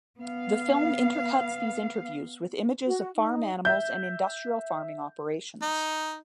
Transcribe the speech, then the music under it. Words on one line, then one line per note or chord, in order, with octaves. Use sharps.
The film intercuts these interviews with images of farm animals and industrial farming operations.
B3 F5
F#4
D#4
E5 G6
D#4